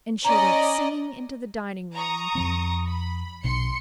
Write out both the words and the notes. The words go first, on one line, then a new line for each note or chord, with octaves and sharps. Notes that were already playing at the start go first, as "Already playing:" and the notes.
And she went singing into the dining-room.
C#4 D5 D#5 A#5
A#5 C#6 D#6
F2 F3 C4
B5
B1 B2 C6 C#7